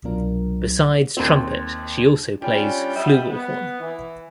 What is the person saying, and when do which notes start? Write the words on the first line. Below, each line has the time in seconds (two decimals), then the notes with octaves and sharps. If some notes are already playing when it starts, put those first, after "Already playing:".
Besides trumpet she also plays flugelhorn.
0.04 C2 B2 F#3 D4 F4 A#4
1.17 D#2 C4
2.42 G3 C#4 D4 F4 G5
2.96 G3 F#4 D#5 E5
3.29 B3
3.80 E3